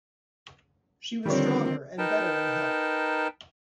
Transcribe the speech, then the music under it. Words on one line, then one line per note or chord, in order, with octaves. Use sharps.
She was stronger and better in health.
D3 D#3 F3 G3 C4 C#5
D#4 A#4 B4 G5 A5